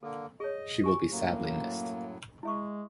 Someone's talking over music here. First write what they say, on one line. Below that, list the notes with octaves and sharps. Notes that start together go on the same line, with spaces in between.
She will be sadly missed.
D3 A#3 A4
G#4 C#5 D#5
G4 G#5 C#6
F#2 A2 F#3 A#3
G#3 E4 E5 C#6